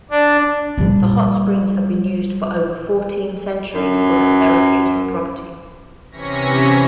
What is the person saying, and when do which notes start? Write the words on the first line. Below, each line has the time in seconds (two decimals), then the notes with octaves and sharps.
The hot springs have been used for over fourteen centuries for their therapeutic properties.
0.11 D4
0.78 A#2 G3
3.74 F#2
6.11 C3 E3 C#4 C#6 A#6 B6